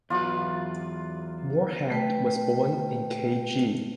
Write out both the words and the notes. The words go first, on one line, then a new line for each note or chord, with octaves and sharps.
Mohamad was born in Kg.
E2 F#3 F4 B4 D5
A3 B4 G5